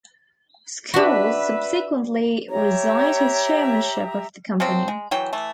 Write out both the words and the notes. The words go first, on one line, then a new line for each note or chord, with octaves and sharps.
Schulze subsequently resigned his chairmanship of the company.
D4 F#4 B4 E5
G4 C#5 E5 A#5
C3 F3 F#3 C4
G#3
E3 F#3 G5
E3 A3